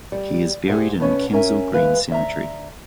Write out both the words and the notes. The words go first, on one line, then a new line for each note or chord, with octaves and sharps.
He is buried in Kensal Green Cemetery.
G3
G4 G#4 B4 C5 E5 F#5
B2 A3 B3 C#4
F#3 C#4 A#4 E5 G#5
E3 G#3 B4 F5
D2 E5 A#5